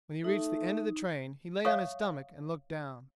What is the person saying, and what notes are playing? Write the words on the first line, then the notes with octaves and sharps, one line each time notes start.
When he reached the end of the train he lay on his stomach and looked down.
A3 D#4
C#5 E5 F5 C#6 D#6